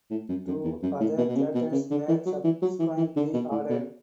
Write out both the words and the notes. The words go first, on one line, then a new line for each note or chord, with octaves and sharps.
Two other theatres were subsequently added.
A2
F#2
F#2
E2
F#2
A2
B2
B2
C#3
B2
C#3
D3
E3
F#3
E3
F#3
E3
E3
D3
B2
A2
B2